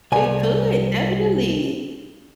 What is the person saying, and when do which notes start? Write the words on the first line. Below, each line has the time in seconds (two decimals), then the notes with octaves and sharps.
It could, definitely,
0.12 C2 G#5